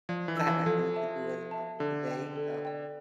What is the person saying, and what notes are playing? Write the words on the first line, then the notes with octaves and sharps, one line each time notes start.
cause I have, like, things to do in the house today, so
F3 D5
E3
A5 E6
E3
F3 A4
E5 A5
A4
E5 A5
D3 A4
D5 G5
A4
D5 G5